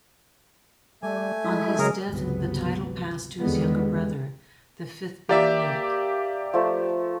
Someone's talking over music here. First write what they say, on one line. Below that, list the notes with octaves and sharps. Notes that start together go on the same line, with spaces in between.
On his death the title passed to his younger brother, the fifth Baronet.
G3 A3 G#5
G#3 E4
C#3 F#3 G#3 G#4 A#4
G1 C#2 C3 F#3 B3
E2 D3 D#3 G3 G#3 B3
A#3 G4 D5 E5
F3 A3